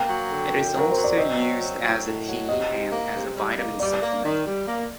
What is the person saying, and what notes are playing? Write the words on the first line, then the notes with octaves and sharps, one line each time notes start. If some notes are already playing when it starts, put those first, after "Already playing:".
It is also used as a tea and as a vitamin supplement.
Already playing: A#3 G5
F#3
D3
F#2
F#3
A#4
F#3 C5
D5
C4 D#5
F#3
C4
F#3
A2
F#3
C3 D#5
C3
A#3
C3
G3
A#3
G3 D5
A#3
D#3
G3
A#3